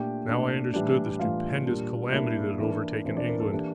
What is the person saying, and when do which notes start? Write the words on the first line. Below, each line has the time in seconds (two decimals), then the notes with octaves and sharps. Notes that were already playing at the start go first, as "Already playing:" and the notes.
Now I understood the stupendous calamity that had overtaken England.
Already playing: A#2 A3 D4 G4 G5
0.28 A#2 A3 D4
0.74 A2 E3 G3 D4
1.19 A2 E3 G3 D4 F4 F5
1.66 A#2 G3 A#3 D4
2.12 A#2 G3 A#3 D4 E4 E5
2.59 E3 A#3 D4
3.05 E3 A#3 C4 D4 C5
3.17 D4 D5
3.29 A#3 A#4
3.40 A4
3.51 E3 A#3 D4 G4